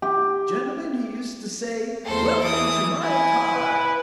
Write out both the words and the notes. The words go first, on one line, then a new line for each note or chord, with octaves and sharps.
Gentlemen, he used to say, welcome to my car.
G4
E2 A3 A#3 A4 C5
E3 D6 D#6
E4 G#5
B4